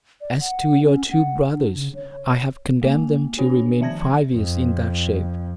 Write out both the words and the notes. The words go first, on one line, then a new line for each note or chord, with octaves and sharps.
As to your two brothers, I have condemned them to remain five years in that shape.
D5
F#5
C#4
F#5
D4
C#3
C#5
G#3 A#3 G#5
D4 F#4 C#5 G#5
D#3 F3 E5 A5 G#6 A#6
F2